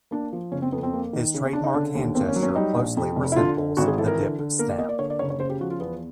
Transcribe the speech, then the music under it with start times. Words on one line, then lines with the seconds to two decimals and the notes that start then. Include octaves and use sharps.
His trademark hand gesture closely resembles the "dip snap".
0.11 A#3 D4
0.33 F3
0.52 F#1 C#4
0.62 C4
0.72 F2 B3
0.83 C4
0.94 A#3
1.13 D#3
1.34 C#3
1.44 C#4
1.53 C#3 D4
1.64 D#4
1.74 D3 D4
1.95 D#2
2.15 A#3 C4
2.28 C#4
2.36 F#3
2.43 C#4
2.56 G3 D#4
2.75 A#1
2.97 F2
3.16 F1
3.32 E4
3.36 D3 F4
3.58 D3
3.77 G#1 F#4
3.88 G#4
3.98 E3 A4
4.07 A#4
4.18 D3
4.39 D3
4.59 A#3 A#4
4.69 D5
4.78 A#3 D#5
4.89 D5
4.99 D3 C#5
5.10 D5
5.19 F#1 C#5
5.30 C#5
5.40 C#3 C5
5.50 G4
5.61 F3 F#4
5.71 F4
5.80 E2 B3